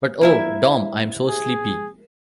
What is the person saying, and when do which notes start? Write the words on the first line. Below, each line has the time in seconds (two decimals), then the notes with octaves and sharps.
But, oh, Dom, I’m so sleepy.
0.21 A#3 E4 E5
1.29 G#4